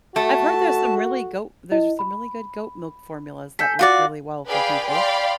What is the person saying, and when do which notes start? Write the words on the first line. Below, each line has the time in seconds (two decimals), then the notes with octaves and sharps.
I've heard there's some really goat there's some really good goat milk formulas that work really well for people,
0.16 A3 F#4 A5
1.72 E4 D#5
1.99 B5
3.59 A4 G#5 G6 B6
3.79 F4 F#4 D5 F5
4.48 G#4 B4 D5 F5 G5 B5
4.90 D5 F5 G5 B5 C6